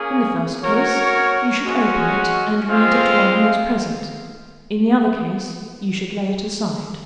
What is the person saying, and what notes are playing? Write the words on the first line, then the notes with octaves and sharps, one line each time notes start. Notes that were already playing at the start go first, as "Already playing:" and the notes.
In the first case, you should open it, and read it while he is present; in the other case, you should lay it aside.
Already playing: A#3 C#4 G#4
F#4 A#4 C#5
G#3 C#4 F#4
G#3 C4 F4 C5 F5